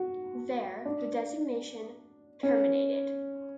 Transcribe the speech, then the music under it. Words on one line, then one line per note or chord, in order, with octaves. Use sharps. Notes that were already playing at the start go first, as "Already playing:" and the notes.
There the designation terminated.
Already playing: F#4
D4
C#4